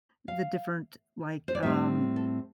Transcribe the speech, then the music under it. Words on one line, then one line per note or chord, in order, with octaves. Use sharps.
the different, like, um
F5
C5
D5
A2 G3 C4 E5
A4